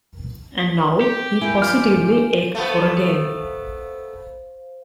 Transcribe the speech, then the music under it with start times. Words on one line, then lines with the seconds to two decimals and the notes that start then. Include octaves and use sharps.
And now he positively ached for a game.
1.01 G4
1.41 A#3 E4 G#5 D7
1.62 E3 F4 F6
2.55 A3 B3 C5 F5